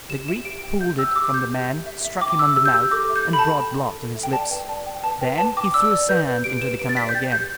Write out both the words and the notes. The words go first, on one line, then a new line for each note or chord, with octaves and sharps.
The Greek pulled it from the man, struck him on the mouth, and brought blood to his lips; then he threw sand into the canal again.
G4 E7
E5 E7
G4 D7
G5
E5 G6
G5 E6
E6
G4 D6
G4 G6
G4
E5
E5
E5
G5 D6
E5 E6
G4 E6
G6
G4 E6
A4 D6
E5
G6
A4
B5
A5
A4
G5
A4
A4
E5
G5
D5 A5
B4 G5
D5 A5
G5
B4 A5
B4 G5
B4 A5
G5 D6
D5 E6
D5
B4 G6
B4
G4 D7
B4 E7
B4 D7
A6
D5 B6
G6
G5 A6
G4 G6